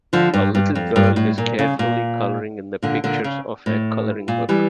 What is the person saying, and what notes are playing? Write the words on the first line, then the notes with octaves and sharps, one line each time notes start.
A little girl is carefully coloring in the pictures of a coloring book.
D3 F3
G2
G2
F2
G2
A2
A#2
C#3
A#2
A#2 D3
A#2 D3
C#3
A2
A#2
E3 G3